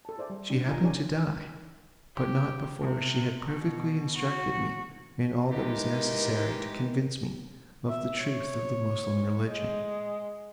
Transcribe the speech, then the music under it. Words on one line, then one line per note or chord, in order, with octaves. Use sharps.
She happened to die, but not before she had perfectly instructed me in all that was necessary to convince me of the truth of the Moosulmaun religion.
A4 A5
G#4 C5 D5 E5
G3
D4
F4 A#4 D#5 G#5 A#5
C#4 D#4 G4 C#5 D5 G#5
G4
C3
B2
F#4
D#3 E3 G#3 D#4 G4 A#4
E5
C#5
G#3